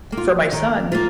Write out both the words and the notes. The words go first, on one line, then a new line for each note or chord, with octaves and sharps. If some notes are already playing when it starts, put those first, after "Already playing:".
for my son,
A#3
F4
D#3
A#3 F4